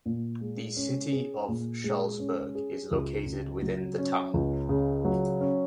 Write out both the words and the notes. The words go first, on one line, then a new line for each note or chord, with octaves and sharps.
The City of Shullsburg is located within the town.
A#2
G#3
C#4
G#4
A#2
G#3
C#4
G#4
C#2
C#3
F#3
C#4
C#2
C#3
F#3
C#4